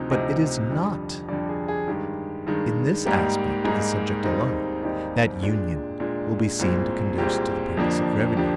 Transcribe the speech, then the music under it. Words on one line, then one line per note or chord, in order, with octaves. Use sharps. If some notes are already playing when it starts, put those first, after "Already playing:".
But it is not in this aspect of the subject alone that Union will be seen to conduce to the purpose of revenue.
Already playing: D2 C3 F3 C4 D#4
D2 C3 F3 C4 D#4 D#5
F2 D3 G3
F2 D3 G3 D5
G#4
G#4
G2 D#3 G#3 G4
G2 D#3 G#3
G#2 G3 A#3 D#4 G4
G#2 G3 A#3 D#4 G#4
D#2 D#3 G3 C4 D#4
D#2 D#3 G3 C4 D#4 G4
A#2 G#3 D4
A#2 G#3 D4
C2 A#2 G#3 C4
C2 A#2 G#3 C4 G4
F2 D3 F3 A#3 D4
D3 F3 A#3 D4 G4